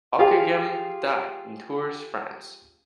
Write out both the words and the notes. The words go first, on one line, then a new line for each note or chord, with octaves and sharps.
Ockeghem died in Tours, France.
F4 G4 G#4 F5